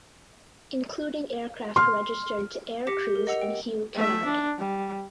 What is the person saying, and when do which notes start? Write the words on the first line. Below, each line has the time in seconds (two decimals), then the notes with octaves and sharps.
Including aircraft registered to Air Kruise and Hugh Kennard.
1.76 C6 F6
2.87 G4 D6 A#6 B6 C#7
3.02 G6
3.16 A#4
3.27 D#5 F#5 E6 F7
3.41 G5
3.95 A3 E5
4.25 D4
4.59 G3